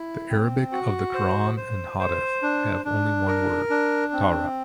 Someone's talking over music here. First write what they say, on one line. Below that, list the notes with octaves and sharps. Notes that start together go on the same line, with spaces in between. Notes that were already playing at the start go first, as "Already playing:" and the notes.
The Arabic of the Quran and hadith have only one word, "Tawrat".
Already playing: E4
C4
F#4
C5
C5
C5
D4
D4
A#4
D4
C4